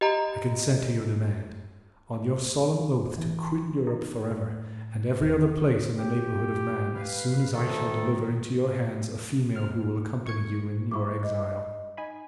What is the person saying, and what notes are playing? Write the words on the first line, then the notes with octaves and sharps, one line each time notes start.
"I consent to your demand, on your solemn oath to quit Europe forever, and every other place in the neighbourhood of man, as soon as I shall deliver into your hands a female who will accompany you in your exile."
G4 D#5 A#5
E3
D#4
A2
E1
G4
B4 F5
D2 A2 D#3 A4
F6
C#6 G#6 C#7
G2 E4 C#6 D6
D#5
D#4 G#5 B5